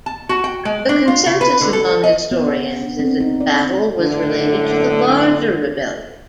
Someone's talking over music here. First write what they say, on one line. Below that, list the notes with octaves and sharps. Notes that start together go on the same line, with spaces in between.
The consensus among historians is that the battle was related to the larger rebellion.
A5
F#4
G5
G#3
D4
F4
C#3
B4
D3
A4
D#5
B3
D4
C4
D#4
D5
F#2 A2 D3